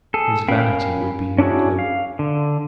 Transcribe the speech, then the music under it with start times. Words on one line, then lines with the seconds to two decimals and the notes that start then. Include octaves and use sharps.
His vanity would be your clue.
0.14 G#4 A4
0.48 C#4 A#4 F5 G5 B5
1.38 C#4 D4 E4 F#4 G#4
1.79 F5
2.19 D3